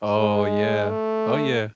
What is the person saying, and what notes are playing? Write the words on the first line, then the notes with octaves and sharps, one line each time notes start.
Oh, yeah. Oh, yeah.
G#3
A3